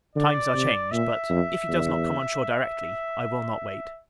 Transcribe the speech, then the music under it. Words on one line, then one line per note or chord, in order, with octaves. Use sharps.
Times are changed; but, if he does not come on shore directly, I will not wait.
D3 D5
C3
A#2 E5
F2
E2